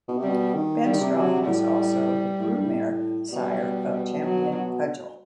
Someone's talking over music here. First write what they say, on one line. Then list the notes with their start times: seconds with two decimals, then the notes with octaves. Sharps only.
Ben Strome was also the broodmare sire of champion Cudgel.
0.08 B2
0.18 C3 G3
0.28 B2
0.55 D#3
0.86 G3
0.93 D#3
1.01 C3
1.16 F#3
1.47 A2 G3
2.40 A2
2.52 G2
2.65 A2
3.32 B2 G3
4.24 F#3